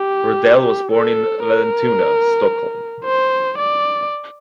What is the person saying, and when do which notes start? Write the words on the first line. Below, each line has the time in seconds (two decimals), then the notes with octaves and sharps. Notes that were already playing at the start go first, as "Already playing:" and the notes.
Rydell was born in Vallentuna, Stockholm.
Already playing: G4
0.92 A4
1.44 A#4
3.04 C5
3.58 D5